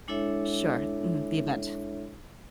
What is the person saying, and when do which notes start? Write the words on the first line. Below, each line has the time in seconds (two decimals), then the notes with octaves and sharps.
Sure, mhm, the event.
0.08 G#3 D4 E4 A4 C#5 E5